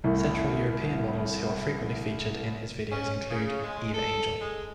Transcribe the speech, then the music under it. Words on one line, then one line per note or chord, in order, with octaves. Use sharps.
Central European models who are frequently featured in his videos include Eve Angel.
C2 A2
C#4
C#3
G#3
A4
G#3